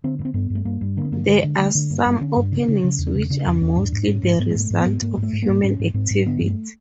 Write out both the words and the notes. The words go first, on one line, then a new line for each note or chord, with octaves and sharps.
There are some openings which are mostly the result of human activity.
D3 C4
G2
C4
G2 B3
G2
A3
G2 A#3
G2
D3 A#3
B3
G2 A#3
D3 G#3
D3
D3 A3
D3
G2 A#3
G2 B3
D3 C#4
G2 D4
C#3
C#3
C#3
E2
D4
C#3 C#4
C#3 D4
E2 C#4
E2 C#4
G#2 D4
G#2
G#2 C#4
G#2
G#2 B3
G#3
G#2
A3
G#2
B3
G#2
G#2 A#3
G#2
A3
G#2
A#3
G#2
G#2 C#4
G#2
G#2 C4
G#2
D3 B3
G2
A3